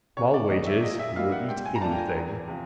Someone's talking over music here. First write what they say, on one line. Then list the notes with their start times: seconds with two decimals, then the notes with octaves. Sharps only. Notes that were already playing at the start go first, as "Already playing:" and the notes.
Small wages. Will eat anything.
0.17 C3 C#5
0.34 D5
0.49 D#3 F#3 D#5
0.67 E5
0.83 A#2 D#5
0.99 E5
1.16 G3 A#3 D#4 F5
1.32 F#5
1.48 G#2 G5
1.66 G#5
1.76 A#5
1.82 F3 A3 D4 A5
1.92 G5
1.98 G#5
2.14 E2
2.48 C3 F3